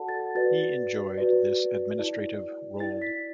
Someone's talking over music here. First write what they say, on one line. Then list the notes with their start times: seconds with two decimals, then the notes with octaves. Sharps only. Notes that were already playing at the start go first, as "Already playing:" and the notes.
He enjoyed this administrative role.
Already playing: F#4 A4 D5 F#5 A5
0.09 A6
0.35 F#4 B4 D5 A6
1.18 F#4 B4 D5
1.99 E4 D5
2.80 E4 D5 A6
3.02 B6